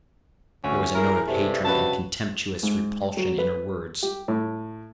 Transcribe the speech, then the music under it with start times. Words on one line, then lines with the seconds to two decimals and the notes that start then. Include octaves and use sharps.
There was a note of hatred and contemptuous repulsion in her words.
0.64 D2 C#4
0.95 E4 G#4 A#4
1.27 G2 C3 A3
1.65 C#3 F#4 B4 A5
2.63 G#2
3.17 F#3
3.38 B4
4.03 G4
4.28 A2